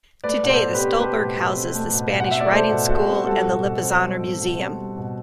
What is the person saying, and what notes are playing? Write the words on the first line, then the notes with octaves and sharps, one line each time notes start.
Today the Stallburg houses the Spanish Riding School and the Lipizzaner Museum.
A3 B4 D5
B2
A4 C5
B2
G4 B4
C4
A3 G4 B4
B2
B2
C4
A3
B2
B2
F#5
C4 E5
D5
A3 A4 C5
B2
B2 F#4 A4
C4
G3 F#4 A4
B2
B2
C4
G3
B2
B2
C4
G3
B2